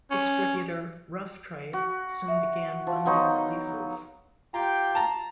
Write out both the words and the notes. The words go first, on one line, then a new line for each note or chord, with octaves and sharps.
Distributor Rough Trade soon began funding releases.
C#4
F#4
E5
F3
F#3 B3 D#4 C6 C#6
F4 G4 G5 A#5
A5 A#5